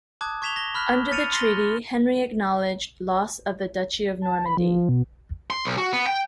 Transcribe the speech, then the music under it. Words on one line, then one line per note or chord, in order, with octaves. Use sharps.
Under the Treaty, Henry acknowledged loss of the Duchy of Normandy.
A5 D6 D#6 F#6 G#6
C#6 G#6 B6 E7 F7 G7
A#6 G7
B5 F6 F#6 B6
F6 A6 C#7 D#7 F7
C6 A6 A#6 G7
A5
B5
F3
B2
C6
B1
F#4
B3
G5